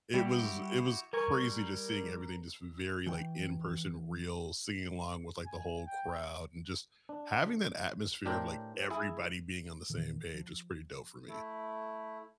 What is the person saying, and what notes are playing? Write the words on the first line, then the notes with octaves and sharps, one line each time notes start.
it was it was crazy just seeing everything just v very, like, in-person, real, singing along with, like, the whole crowd, and just having that atmosphere of, like, everybody being on the same page was pretty dope for me.
G3 E4 F#4 G4
G3 A#4 G#5 C#6
E3 G5
G#5
G5
D4
A2 D4 G4 A#4 C5
E4 G#4 G#5
A#2 D#3 E3
F3
A3 E4